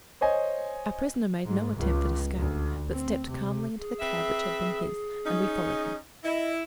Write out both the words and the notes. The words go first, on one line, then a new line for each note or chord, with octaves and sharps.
Our prisoner made no attempt at escape, but stepped calmly into the cab which had been his, and we followed him.
C5 C#5 D#5 G#5
G#2
C#2
D2
C4
C3
G#4
C4 B4 E5
C#4 D#4
E4 D#5